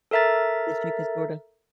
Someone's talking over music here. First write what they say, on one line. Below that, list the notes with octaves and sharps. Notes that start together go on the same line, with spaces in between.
that you could sorta
A4 A#4 E5 A#5 A6